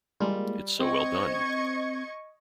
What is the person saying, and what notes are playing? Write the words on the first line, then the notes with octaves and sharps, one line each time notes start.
It's so well done.
G3 G#3 A#3 F4
C4 D#5 C#6 G#6